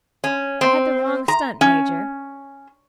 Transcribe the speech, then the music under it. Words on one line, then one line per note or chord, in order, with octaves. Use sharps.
I had the wrong stunt, Major.
C#4
C4
A#5
C#4